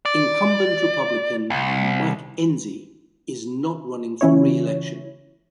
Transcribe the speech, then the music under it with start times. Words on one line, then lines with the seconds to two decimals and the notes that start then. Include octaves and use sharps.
Incumbent Republican Mike Enzi is not running for reelection.
0.05 D5
1.50 C2
4.21 C#3 E3 C#4 E4 C#5